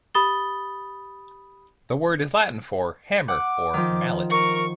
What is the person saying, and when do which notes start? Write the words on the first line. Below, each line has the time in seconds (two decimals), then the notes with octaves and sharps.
The word is Latin for "hammer" or "mallet".
0.15 G4 B5 D#6 A6 G7
3.28 F#5 D6
3.74 D#3 F3
4.30 A#4 C#6